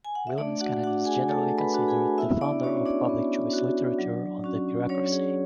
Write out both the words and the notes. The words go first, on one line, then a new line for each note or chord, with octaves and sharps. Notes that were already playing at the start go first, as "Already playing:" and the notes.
William Niskanen is generally considered the founder of public choice literature on the bureaucracy.
G#5
F#5
E5
A3 D4 D5
F#4 F#5
D4 F#4 F#5
G#4 G#5
A3 A4 A5
B4 B5
D4 F#4
G#4 G#5
B3 E4 E5
D4 D5
C#4 F#4 C#5
D4 D5
B3
F#4
F#3
C#4 F#4
F#3 C#4 C#5
G#4